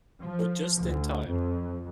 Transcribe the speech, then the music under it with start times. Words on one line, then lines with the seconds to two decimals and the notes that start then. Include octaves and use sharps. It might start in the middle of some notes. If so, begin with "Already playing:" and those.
You're just in time.
0.22 F3
0.82 D2
1.27 F2